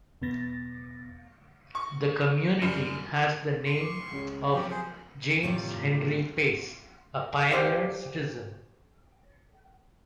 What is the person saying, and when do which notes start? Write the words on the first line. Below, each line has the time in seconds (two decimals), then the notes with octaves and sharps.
The community has the name of James Henry Pace, a pioneer citizen.
0.22 E2 B2 B3 A6 A#6
1.75 C#6
2.62 F#2 G3
3.66 C6 C#6
3.81 D6
4.11 C#2 C#4 G#4
4.53 C3 F3 F#3 G4
4.71 G#4 C5
5.43 A2 C3 D#3 G3 E4 F4
7.51 G4 C5 D5 F5